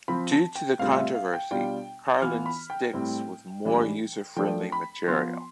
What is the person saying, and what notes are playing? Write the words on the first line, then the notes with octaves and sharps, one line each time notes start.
Due to the controversy, Carlin sticks with more user-friendly material.
F3 C4 F4 B5
A5
G5
A2 G3 C4 F4 F5
E5
F5
G5
B2 G3 D4 F4 G5
E3 B3 F4 F6
B5
G5
A2 G3 C4 E4
A2 E3 G3 D4
F3 A3 D4 G5
B5
F3 B3 F4 C6